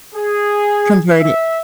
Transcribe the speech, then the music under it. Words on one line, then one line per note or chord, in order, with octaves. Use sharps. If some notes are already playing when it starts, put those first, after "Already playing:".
convert it?
G#4
E5